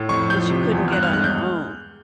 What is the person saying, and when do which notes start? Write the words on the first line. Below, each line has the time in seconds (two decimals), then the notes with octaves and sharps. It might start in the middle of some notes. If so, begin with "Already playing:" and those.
that you couldn't get on your own.
Already playing: A2
0.09 F2 C#6
0.30 F3 G6
0.50 C3
0.71 E2
0.88 F6
0.92 G2 F#6
1.03 F6
1.13 G#3 F#6
1.24 G6